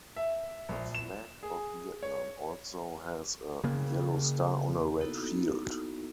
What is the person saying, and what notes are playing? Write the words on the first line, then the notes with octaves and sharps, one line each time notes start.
The flag of Vietnam also has a yellow star on a red field.
E5
A#1
E7
G#4
C#5
C#3 A#3
A#3 B3 D#4 E4 F#4 A4